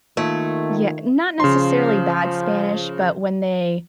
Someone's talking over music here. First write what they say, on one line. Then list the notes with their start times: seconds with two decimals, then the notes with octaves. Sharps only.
Yeah, not necessarily bad Spanish, but when they
0.17 D#3 A3 A#3 F4 G#6
1.40 C#3 F3 C6